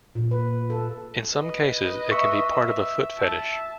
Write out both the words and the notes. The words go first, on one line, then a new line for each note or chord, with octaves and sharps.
In some cases it can be part of a foot fetish.
A#2
B4
A4
B4 D#5
E5 C#6
A5